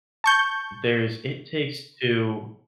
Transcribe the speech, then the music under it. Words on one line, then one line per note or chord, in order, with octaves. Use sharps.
There's, It Takes Two.
A5 C#6 G6